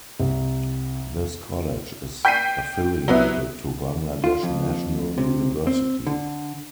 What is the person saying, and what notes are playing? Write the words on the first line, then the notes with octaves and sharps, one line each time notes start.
This college is affiliated to Bangladesh National University.
C2
G5 G6 B6 C7 D#7
F#3 B3 E4
F4
F2
C3
C4
D3